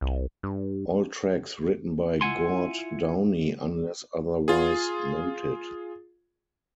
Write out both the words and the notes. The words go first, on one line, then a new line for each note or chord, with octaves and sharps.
All tracks written by Gord Downie unless otherwise noted.
C2
G2
E4 F4 F#5 G#5 C6
F4 G#4